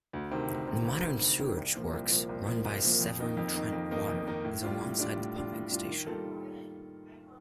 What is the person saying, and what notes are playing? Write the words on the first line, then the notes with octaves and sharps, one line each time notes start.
The modern sewage works, run by Severn Trent Water, is alongside the pumping station.
D2
C3 D#3
D2
C3 D#3
D2
C3 D#3
D2
C3 D#3
C2
A#2 F3 A#3
C2
A#2 F3 A#3
C2
A#2 F3 A#3
C2
A#2 F3 A#3
F2
D#3 A#3 D#4
F2
D#3 A#3 D#4
F2
D#3 A#3 D#4
F2
D#3 A#3 D#4
A2
G3 D4 F4
A2
G3 D4 F4
A2
G3 D4 F4
A2
G3 D4 F4
D#3
G3 A#3 F4 A4
D#3